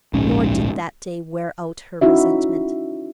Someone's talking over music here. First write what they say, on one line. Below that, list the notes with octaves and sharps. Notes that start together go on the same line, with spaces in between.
Nor did that day wear out her resentment.
D1 A#1 G#2 C#4
C#4 D#4 E4 F#4 E5